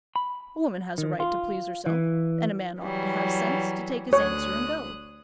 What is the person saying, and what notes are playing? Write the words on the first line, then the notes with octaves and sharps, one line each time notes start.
A woman has a right to please herself, and a man ought to have sense to take his answer and go.
B5
D#3
F4
E3
E3 F#3 G3
D2 C#5 D#6 F#6